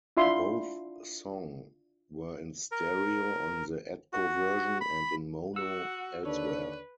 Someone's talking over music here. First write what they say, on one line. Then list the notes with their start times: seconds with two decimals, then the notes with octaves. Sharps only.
Both song were in stereo on the Atco version and in mono elsewhere.
0.17 D4 E4 F4 E5 C6
2.72 A#4
4.13 F#4
4.81 B5
5.56 F#4 F#5 E6
6.25 D#2 D3 D4 B4 C#5